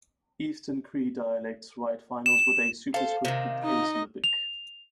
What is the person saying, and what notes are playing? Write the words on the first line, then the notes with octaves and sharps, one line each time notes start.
Eastern Cree dialects write finals with a superscripted a-syllabic.
E7
A4 C5 F5
C3 D#3
D#4 D#5
F7